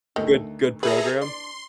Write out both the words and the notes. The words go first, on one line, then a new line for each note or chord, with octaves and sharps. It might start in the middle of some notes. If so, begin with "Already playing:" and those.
Good good program?
D2 D#3 A3 D4 A4
D#4
G#4 A4 B4 E5 A#5
D4 D5 C6